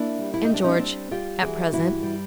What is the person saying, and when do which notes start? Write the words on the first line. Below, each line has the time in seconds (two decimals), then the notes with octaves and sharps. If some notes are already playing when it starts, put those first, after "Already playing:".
"And George,--at present."
Already playing: A#3 D4 E4
0.19 G3
0.34 E4
0.44 D#4
0.50 G3 D4
0.64 C#4 D#4
0.79 G3 C4 D4
1.11 G3 F4 G4
1.42 E3 F#4 G#4
1.73 G2 E4 F#4
2.03 G3